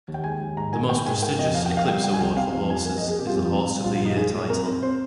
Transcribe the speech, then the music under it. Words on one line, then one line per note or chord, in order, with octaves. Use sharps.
The most prestigious Eclipse Award for horses is the Horse of the Year title.
D#2
G5
G#3 G#5
D#2
G#2 A#5
D#3 G#5
A#3 G5
G#2 G#5
A#3 G5
F2 D#5
F2 F5
G5
A#3
F5
G3 G5
G3 G5
G#5
C2 G5
C4 F5
F2 F5
F2 G#5
A#3 G#5
D#5
A#3
G#4
C3 G4
F4
F2 G4
F4
C4
G3
A#1 F4
F4
A#1 D#4
G#3 G#4
A#2
C4 A#4
C4
C4 C5